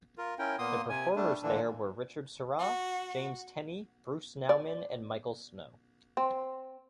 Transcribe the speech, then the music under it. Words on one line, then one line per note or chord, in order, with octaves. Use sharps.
The performers there were Richard Serra, James Tenney, Bruce Nauman and Michael Snow.
F4 A#4
C#4 E4 A#4 G5
A#2 A#3 B3 C6 D#6
C3 G#5
G3 A3 D4
A#2 D3 E3 D4
F#4
D5
C4